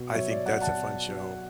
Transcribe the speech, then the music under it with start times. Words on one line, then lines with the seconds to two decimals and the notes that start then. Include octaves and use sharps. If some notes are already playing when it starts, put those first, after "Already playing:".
I think that's a fun show.
Already playing: B2
0.15 F#3 C#5 E5
0.30 D5
0.46 F#3 D5 F#5
0.61 F#5 A5
0.77 B2
1.08 F#3